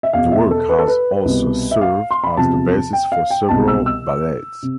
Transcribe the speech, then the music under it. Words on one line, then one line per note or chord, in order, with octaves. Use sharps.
The work has also served as the basis for several ballets.
E5
E2 B2 F5
E5
A4
B4
A4
B4
C2 B2
E5
F5
C6
B5
E2 C3 F3 A5
G5
F5
G5
C2 B2 A5
E6
E6
C3